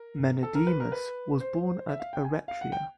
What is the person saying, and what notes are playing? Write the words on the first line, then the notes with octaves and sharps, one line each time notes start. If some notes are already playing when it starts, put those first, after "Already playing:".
Menedemus was born at Eretria.
Already playing: A#4
A4
A#4
B4
A#4
B4
C5
E5
F5
G5
G#5
F5
F#5
G5